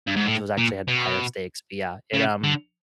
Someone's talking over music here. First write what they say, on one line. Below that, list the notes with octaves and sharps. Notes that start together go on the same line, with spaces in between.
it was actually had higher stakes, but yeah, it, um
G2
G#2
A2
A#2
B2
C#3
D3